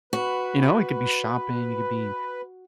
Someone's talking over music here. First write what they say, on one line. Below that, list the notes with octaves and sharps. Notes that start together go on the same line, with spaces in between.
you know? It could be shopping, it could be,
F#4 B4